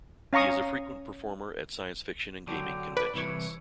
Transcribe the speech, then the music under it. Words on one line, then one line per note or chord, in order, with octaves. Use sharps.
He is a frequent performer at science fiction and gaming conventions.
C#4 F5 A#5 C#6 D#6
D3 F#3 G4
B4 D5
C2 E3 C#5